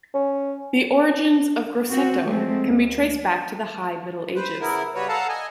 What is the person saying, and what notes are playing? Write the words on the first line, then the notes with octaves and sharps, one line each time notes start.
The origins of Grosseto can be traced back to the High Middle Ages.
C#4
C4 F#4
F3 G#3 A3 C4
D2
B4 C5
C#3 B3 E4 A#4
C#3 G3 F#4 B4 C#5
A4 F5 F#5 A5 A#5
D#5 G#5